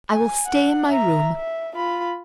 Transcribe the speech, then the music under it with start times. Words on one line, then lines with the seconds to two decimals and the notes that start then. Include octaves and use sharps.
I will stay in my room.
0.12 G#5
0.46 F#5
0.88 E5 A#5
1.36 E5
1.76 F4 B5